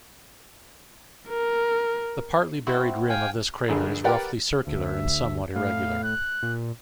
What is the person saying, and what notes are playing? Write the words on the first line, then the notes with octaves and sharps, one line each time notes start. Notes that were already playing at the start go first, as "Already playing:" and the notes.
The partly buried rim of this crater is roughly circular and somewhat irregular.
A#4
C4 E4 F#4
F5 G5 G#5
A#1 G2 D3 G#4
G4 A#4 B4 D5 F#5 G5
D2 E5
A2 F5
F#6
A#2